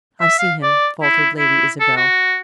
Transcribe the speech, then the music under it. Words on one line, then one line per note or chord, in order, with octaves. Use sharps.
"I see him," faltered Lady Isabel.
E5
F5
D5
E4
E4
A4
F#4